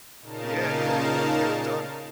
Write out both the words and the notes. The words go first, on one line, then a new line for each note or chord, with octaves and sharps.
Yeah, yeah, yeah, get it done.
A#2 C#3 D#4 A#4 F5 A5